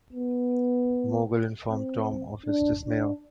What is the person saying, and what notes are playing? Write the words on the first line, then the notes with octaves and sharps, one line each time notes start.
Mogul informed Tom of his dismissal.
B3
C4
D4
D4